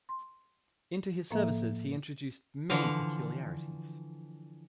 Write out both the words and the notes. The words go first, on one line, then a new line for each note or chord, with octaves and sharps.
Into his services he introduced many peculiarities.
C6
A2 F3 A#3 A4 E5
D3 E3 F3 F5